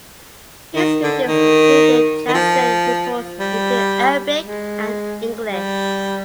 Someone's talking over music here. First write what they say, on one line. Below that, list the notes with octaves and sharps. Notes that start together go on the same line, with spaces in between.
His duties included translating reports into Arabic and English.
D#3
D3
D#3
D#3
F3
G3
G#3
G3